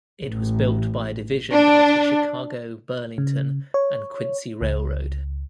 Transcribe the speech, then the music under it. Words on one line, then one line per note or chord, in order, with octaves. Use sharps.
It was built by a division of the Chicago, Burlington and Quincy Railroad.
A1
D4
C#3
C#5
C#2